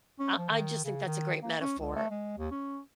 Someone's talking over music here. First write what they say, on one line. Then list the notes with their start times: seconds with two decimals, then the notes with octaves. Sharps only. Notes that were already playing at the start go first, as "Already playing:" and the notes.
I I just think that's a great metaphor
0.19 C#4
0.38 F3
0.50 D#3
0.84 C#3
1.06 D#3
1.42 A#3
1.60 C#4
1.79 C#2
1.95 A3
2.11 G#3
2.38 D#2
2.51 C#4